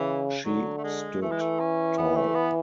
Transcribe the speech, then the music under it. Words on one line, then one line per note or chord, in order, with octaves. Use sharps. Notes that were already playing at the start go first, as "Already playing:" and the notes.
She stood tall.
Already playing: C#3 E3
D3 F#3
A3
G#3
E3 A3
G#3
A3
C#4
B3
A3
B3